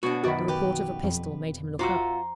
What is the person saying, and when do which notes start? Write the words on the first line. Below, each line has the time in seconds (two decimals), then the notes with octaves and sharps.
The report of a pistol made him look up.
0.03 B2 B3 D4 F#4 C#5
0.24 F#2 D#3 F#4 D5 B5
0.48 G4 B4 D6
1.03 F2
1.79 F4 F#4 C5 E5 A#5 D6